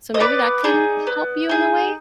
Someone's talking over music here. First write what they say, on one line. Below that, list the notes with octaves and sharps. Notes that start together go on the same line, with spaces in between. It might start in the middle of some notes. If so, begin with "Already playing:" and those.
so maybe that can help you in a way?
D#5
B3 B4 D5
D#4 G#4
B3
D#4 G#4